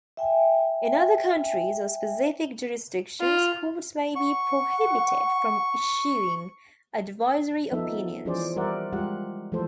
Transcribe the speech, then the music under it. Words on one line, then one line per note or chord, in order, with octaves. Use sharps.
In other countries or specific jurisdictions, courts may be prohibited from issuing advisory opinions.
E5 G5 G#5
F4
F#5 C#6
F3 B3 D#4 A4 E5
E3 F3 C#4 G#4 C5 D5
G3 A#4 C5 D5 E5 F#5
G3 G#3 F4 G4 F#5
E3 F3 A3 A4 C5